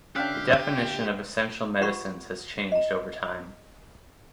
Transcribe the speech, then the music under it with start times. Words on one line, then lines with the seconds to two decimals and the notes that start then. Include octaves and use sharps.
The definition of essential medicines has changed over time.
0.16 D3 C#4 D4 G4 E5 F5 G5 F#6
1.81 F4 G4 F#5 B5 C#6
2.72 D#5 A#5